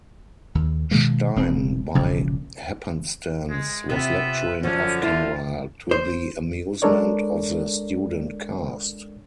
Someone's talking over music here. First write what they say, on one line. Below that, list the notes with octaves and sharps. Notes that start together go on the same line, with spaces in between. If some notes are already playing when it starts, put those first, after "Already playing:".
Stein, by happenstance, was lecturing off-camera to the amusement of the student cast.
D#2
B2 D#3 G#3 A#3
E1 C4
E1 A#1 C#3
G#3
C3 B3 F4 B4 E5
F#2 D3 F3 C#4
E4 F4
C5
G#3 D4 A4 A#4 C#5 D5